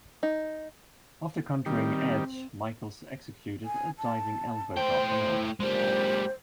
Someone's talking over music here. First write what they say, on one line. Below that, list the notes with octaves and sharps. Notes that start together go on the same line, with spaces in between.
After countering Edge, Michaels executed a diving elbow drop on Edge.
D#4
D#3 G3 C4
G#5
A5
A2 C5 G5
E4
G#1 A#2 G#3 D4 G4 C5